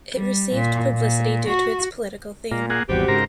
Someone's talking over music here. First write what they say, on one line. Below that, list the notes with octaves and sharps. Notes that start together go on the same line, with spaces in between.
It received publicity due to its political theme.
G3
A#2
A#2
F#4
A#2 A#3
A#3 G#4 F#5
G#1 E2 G3 C4 F#4 G4
G#2 C#3 A#4 C5 A#5